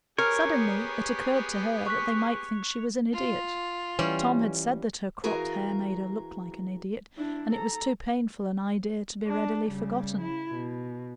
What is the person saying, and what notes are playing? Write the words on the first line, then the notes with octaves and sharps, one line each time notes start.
Suddenly it occurred to her that they might think she was an idiot; Tom had said that her cropped hair made her look like an idiot, and it was too painful an idea to be readily forgotten.
B3 G4 G#4 A#4 C#5
C#6 F#6 B6
F4
E3 G3 C#4
E3 F#4 G#4 A#4 F5
D4 E4
A4 A#5
D4
C#3 G3
E4
B2